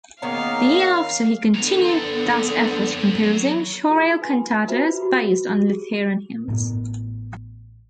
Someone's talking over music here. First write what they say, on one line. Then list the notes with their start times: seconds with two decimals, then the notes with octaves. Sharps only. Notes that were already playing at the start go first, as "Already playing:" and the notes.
The year after, he continued that effort, composing chorale cantatas based on Lutheran hymns.
0.22 D#3 G#3 A#3 B3 C#4 F5 A#5
1.54 D3 E3 B3 A#5
1.85 C4 A4
3.23 F#3
3.89 D#4 F4 G#4 A4
4.22 B4 G#5 B5 C6
4.68 F4 F#4 B4 C5 E5 A#5
4.83 B5
5.00 F#4 G4
5.64 G4 G#4
6.48 A1 A2 B3